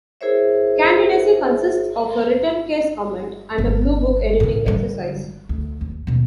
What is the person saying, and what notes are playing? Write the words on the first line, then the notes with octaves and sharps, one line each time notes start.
Candidacy consists of a written case comment and a Bluebook editing exercise.
E4 G#4 A#4 C5 C#5 E5
G1
A2 C#3
D3 G3
D2
D#2
D#2 B2